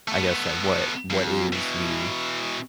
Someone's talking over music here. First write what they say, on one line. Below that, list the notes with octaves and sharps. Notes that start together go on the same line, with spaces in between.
I guess, like, what what is the
A3 B3
F2
B2 E3